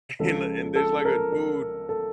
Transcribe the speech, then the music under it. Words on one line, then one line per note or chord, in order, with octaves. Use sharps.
and and there's, like, a dude
C#2 C#3 F3 A4
A4
A#4
A#4
A4